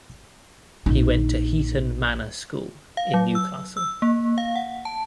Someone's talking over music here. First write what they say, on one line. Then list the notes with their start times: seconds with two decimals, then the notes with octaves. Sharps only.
He went to Heaton Manor School in Newcastle.
0.86 A#1 D#4
2.97 F5
3.14 F#3
3.35 E6
3.77 E6
4.02 A#3
4.38 F5
4.56 F#5
4.85 A5